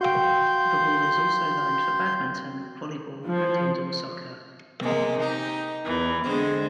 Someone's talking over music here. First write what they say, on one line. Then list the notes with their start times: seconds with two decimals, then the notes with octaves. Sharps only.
The hall is also lined for badminton, volleyball and indoor soccer.
0.01 F#4 F5 G5 C6 G6
3.27 F3
4.81 C3 G#3 A#3
5.18 D#4 G4
5.84 E2 E3
6.23 D3 G#3 C4